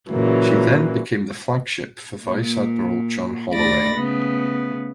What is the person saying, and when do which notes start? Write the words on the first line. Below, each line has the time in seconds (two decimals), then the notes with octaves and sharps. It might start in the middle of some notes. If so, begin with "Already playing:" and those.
She then became the flagship for Vice Admiral John Holloway.
0.11 A#2 C#3 E3 F#3 A#3
2.25 A#2
3.53 D2 A3 D5 B5 A6 A#6
3.95 C#3 A3 B3